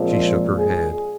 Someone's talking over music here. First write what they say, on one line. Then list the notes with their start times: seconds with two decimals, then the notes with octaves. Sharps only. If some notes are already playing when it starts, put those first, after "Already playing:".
She shook her head.
Already playing: A#2 F3 G#3 C4
0.57 G#4